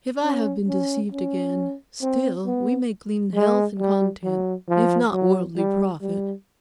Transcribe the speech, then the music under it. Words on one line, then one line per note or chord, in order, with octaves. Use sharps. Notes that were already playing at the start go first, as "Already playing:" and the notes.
If I have been deceived again, still we may glean health and content, if not worldly profit.
C#4
C#4
C#4
C4
B3
G#3
G3
F#3
F3
F#3
G3
G3